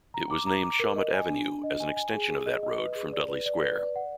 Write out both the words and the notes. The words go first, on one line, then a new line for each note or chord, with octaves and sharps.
It was named Shawmut Avenue, as an extension of that road from Dudley Square.
A#5
D6
A#5
D6
A#4
D#5
G#5
D4
D4
D#5
G#5
G#5
G#4
G#4
D#5
D#5
B4
G#4
D5
B4
D5
B4
D5
F#5